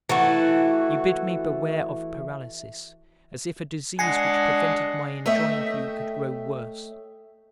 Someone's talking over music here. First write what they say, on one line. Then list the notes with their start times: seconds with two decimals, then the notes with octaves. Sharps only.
You bid me beware of paralysis; as if a disease which prevented my enjoying you could grow worse!
0.09 E3 A3 F#4
3.99 G#3 D4 F#5 G#5 A#6 C7 C#7
5.26 A3 C#5 D#5 E5 G5